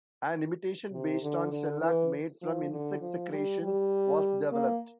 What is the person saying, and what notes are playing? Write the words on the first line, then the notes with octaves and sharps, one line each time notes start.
An imitation based on shellac made from insect secretions was developed.
C3
D3
D3
E3
F3
D3
F3
G3
G3
A#3